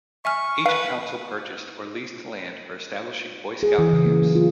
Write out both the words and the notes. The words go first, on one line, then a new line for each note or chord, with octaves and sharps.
Each council purchased or leased land for establishing Boy Scout camps.
E5 G#5 C#6 F6
B4 F5 F#6
G#4
E3
C#3
A#3
F#3
F4